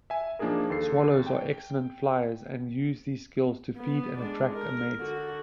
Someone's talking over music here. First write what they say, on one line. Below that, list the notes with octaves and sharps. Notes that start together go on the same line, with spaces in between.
Swallows are excellent flyers, and use these skills to feed and attract a mate.
E5 G#5
F3 A#3 D4 D#4 G#4 A#4
D#2 A4 C7
G5
B3
G#3 D4
A#4
D3 F#4